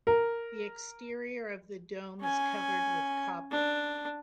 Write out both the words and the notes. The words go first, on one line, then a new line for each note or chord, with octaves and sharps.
The exterior of the dome is covered with copper.
A#4
C#4 G#5
D4